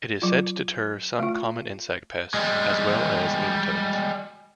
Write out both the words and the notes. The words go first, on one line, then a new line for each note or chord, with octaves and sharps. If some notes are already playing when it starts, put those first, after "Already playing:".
It is said to deter some common insect pests, as well as nematodes.
F#3 F4
A3 F4
G3 G#3